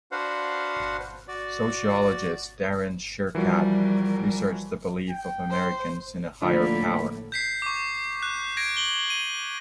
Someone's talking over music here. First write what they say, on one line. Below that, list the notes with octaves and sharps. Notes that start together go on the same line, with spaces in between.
Sociologist Darren Sherkat researched the belief of Americans in a higher power.
D4 F#4 B4 C5 F5 F#5
F#4 D5
E3 F3 G3 F#4 A#4
G5
C5
A2 D3 F3 A#3 D4 F4 D5 B5
G6 B6 C7
C#6 D6
F#6
G#6 A#6 D7
F#7 G7
D#7